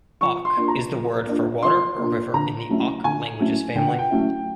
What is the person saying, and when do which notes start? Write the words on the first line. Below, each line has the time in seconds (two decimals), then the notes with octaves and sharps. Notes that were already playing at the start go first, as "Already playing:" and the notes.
"Ok" is the word for water or river in the Ok languages family.
0.21 F3 C#6
0.45 C6
0.57 A#3 D4 F4
0.68 A#5
0.92 F3
1.27 A#3 D4 F4
1.63 F3 C6
1.98 A#3 D4 F4
2.34 D3 A#5
2.69 F#3 A3 C#4 E4
3.04 D3 G#5
3.40 F#3 A3 C#4 E4
3.75 D3 G5
3.87 F#5
3.98 G5
4.11 F#3 A3 C#4 E4